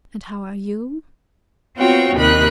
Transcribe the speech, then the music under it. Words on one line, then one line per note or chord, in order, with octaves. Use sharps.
And how are you?
B3 C4 F4 F#4 C#5 G5
D#2 C3 D#4 A#4 B5 F#6